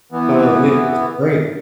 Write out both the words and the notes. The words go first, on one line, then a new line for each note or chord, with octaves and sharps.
So, i it's great.
E3 B3